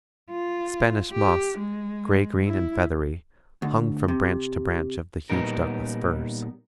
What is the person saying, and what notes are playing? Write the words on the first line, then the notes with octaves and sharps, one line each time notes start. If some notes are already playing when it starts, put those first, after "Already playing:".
Spanish moss, grey-green and feathery, hung from branch to branch of the huge Douglas firs.
F4
G4
G#3
E4
D2
C3
A#2 G3 B3 D#4 A#4